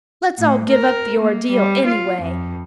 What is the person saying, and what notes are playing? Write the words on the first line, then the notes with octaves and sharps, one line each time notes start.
Let's all give up the Ordeal, anyway.
A2
A#4
A#3
G3
F4
F2